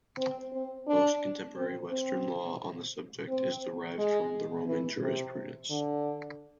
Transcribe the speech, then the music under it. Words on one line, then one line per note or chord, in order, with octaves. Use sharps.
Most contemporary Western law on the subject is derived from the Roman jurisprudence.
C4
C4
D4
C4
C4
C4
G#3
E3
C3
D3